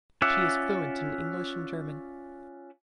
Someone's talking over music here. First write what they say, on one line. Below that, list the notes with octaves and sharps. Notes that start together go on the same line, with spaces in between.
She is fluent in English and German.
C#4 F4 D5 E5 F#5